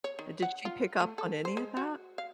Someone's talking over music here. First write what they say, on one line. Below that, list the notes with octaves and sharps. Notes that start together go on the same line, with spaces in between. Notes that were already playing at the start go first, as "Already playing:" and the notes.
Did she pick up on any of that
C#5
D#3
F#5
F4
A3
A4
C5
G#3
F#4
F5